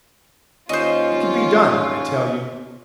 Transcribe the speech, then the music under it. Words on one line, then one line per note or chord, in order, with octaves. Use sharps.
It could be done, I tell you.
D#2 C#4 F4 C5 D#5 C#6